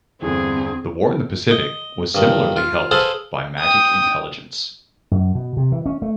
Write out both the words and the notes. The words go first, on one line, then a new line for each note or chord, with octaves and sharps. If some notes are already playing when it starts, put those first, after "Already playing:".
The war in the Pacific was similarly helped by 'Magic' intelligence.
E2 G2 D3 C4 G#4 A4
D#5
G2 D#3
F4
G#4 A4 B4 C5 F5 A5
G5 D#6
F#2
B2
C3
E3
C#4
A3